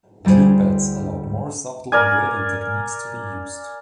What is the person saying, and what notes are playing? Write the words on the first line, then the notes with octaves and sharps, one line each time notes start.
Glue-bats allowed more subtle engraving techniques to be used.
D2 G3 E4 G#4 C5
A#4 D5 G#5